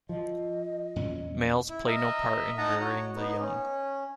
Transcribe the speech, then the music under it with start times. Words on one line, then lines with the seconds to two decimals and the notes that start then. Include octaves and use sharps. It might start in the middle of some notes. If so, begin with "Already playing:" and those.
Males play no part in rearing the young.
0.09 F3 D#5
0.96 E2 A#2 C#4
1.69 E4
1.87 A#4 D#5 E5
2.58 D#4 D#5 F#5 A5 A#5
2.80 F#4 C#5
3.15 B3 D#4
3.40 C#4